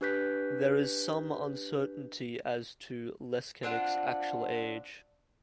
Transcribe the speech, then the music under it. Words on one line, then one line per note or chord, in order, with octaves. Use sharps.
There is some uncertainty as to Leskanic's actual age.
D4 G4 B4 F#6 G6 B6
C4 D4 F4 F#5